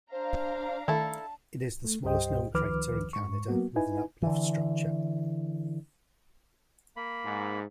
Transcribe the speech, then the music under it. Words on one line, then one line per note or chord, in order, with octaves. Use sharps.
It is the smallest known crater in Canada with an uplift structure.
D4 C5 F5 A#5
D#3 A3 E4 A4 A5
A3
C2 G2 G4 C5 D#5 G5
C#2 D#3 F3 B4 D6 F6
G#2 C#6
F#3 A#3 B3 F#4
D#4 E4 B4 G#5
D3 E3
A#3 B5
G#2